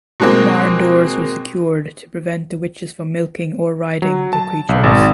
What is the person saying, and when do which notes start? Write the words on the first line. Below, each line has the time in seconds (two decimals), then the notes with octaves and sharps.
Barn doors were secured to prevent the witches from milking or riding the creatures.
0.20 B2 F#3 G#3 A#3 C4
4.02 F#3
4.33 A5
4.69 B1
4.84 G#1